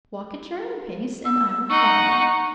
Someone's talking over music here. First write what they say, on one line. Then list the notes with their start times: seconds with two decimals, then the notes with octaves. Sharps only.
Walk at your own pace, and I will follow.
1.25 E6
1.70 D#4 F#5 C#6